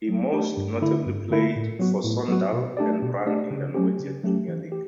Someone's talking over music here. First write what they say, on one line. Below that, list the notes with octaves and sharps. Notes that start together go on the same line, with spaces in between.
He most notably played for Sogndal and Brann in the Norwegian Premier League.
F#3
A3 D4 G4
G2
D3 A3 E4
G2
D3 A3 E4
A2
F#3 B3 F#4
A2
F#3 B3 F#4
B2
A3 D4 G4 D5
B2
A3 D4 G4 D5
C#3
F#3 A3 C#4 G4
C#3
F#3 A3 C#4 G4
E3
G4